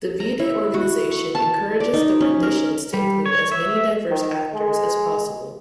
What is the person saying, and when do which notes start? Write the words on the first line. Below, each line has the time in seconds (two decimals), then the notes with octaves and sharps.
The V-Day organization encourages the renditions to include as many diverse actors as possible.
0.20 A#5
0.39 E4
0.74 F#4
1.11 C#6
1.35 A5
1.80 D5
1.94 D#4
2.21 C#4
2.43 A#4
2.94 G3
3.26 C#5
3.52 E5
4.10 D#3
4.54 G#3